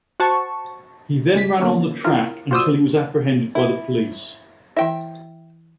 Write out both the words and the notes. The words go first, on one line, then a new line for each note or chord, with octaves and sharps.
He then ran on the track until he was apprehended by the police.
F#4 C5 F#5 A5 C#6
C#2 G#3 B6
D3 F#3 A#3 B3 C#4
E4 F4 A#4
F4 F#4 C5 D5 D#6 E6
E4
E3 E4 E5 G5